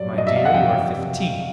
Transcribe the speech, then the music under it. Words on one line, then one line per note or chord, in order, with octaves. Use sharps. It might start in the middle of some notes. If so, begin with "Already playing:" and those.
"My dear, you are fifteen."
Already playing: G2 F#3 D5
G2
D#5
E5
F5
F#5
F2 F5 G5
C3